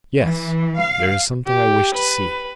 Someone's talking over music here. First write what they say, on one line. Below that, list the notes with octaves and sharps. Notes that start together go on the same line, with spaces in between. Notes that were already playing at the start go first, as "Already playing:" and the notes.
"Yes, there is something I wish to see."
E3
F5
G4
B4